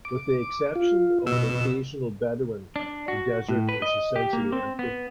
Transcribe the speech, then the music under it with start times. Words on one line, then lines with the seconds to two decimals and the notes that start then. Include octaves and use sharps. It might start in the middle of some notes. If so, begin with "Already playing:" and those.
With the exception of an occasional Bedouin, the desert is essentially empty.
0.05 D6
0.76 F4
1.27 B2 E6
2.76 D4
3.08 F#4
3.49 A2
3.69 B4
3.82 D#5
4.16 G4
4.33 A#3
4.52 C4
4.79 B3